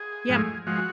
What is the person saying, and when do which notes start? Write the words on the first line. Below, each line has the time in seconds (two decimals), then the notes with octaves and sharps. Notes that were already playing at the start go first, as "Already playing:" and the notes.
Yeah, m
Already playing: G#4
0.29 G#2 F3 G#3
0.67 F3 G#3 F#4